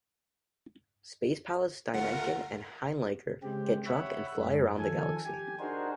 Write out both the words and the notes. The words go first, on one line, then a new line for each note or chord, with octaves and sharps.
Space pilots Steineken and Heinlager get drunk and fly around the galaxy.
D2 A3 F4 A#4 F#5
C#3 G#3 C4 G4
C#5 E5 F#5 B5
F#2 G#3 C#4
D#3 F3 A4 G#5
G4 G#5
D4 D#4 F#4 G#4 A#4 C5